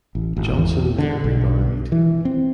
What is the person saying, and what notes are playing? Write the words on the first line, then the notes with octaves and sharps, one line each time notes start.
Johnson later remarried.
A1
G#1
E2
D3
B1
E3
C4